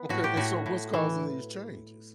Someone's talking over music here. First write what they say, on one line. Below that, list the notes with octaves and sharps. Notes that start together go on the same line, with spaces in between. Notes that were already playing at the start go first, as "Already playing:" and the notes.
Okay, and so what's causing these changes?
Already playing: B3
A2 F#4
G4
A2 F#4
A2
E3